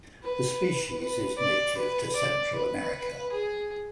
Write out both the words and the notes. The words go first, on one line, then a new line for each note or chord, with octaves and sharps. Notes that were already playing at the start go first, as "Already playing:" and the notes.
The species is native to Central America.
B4
B4
D5
B4
D5
B4
G#4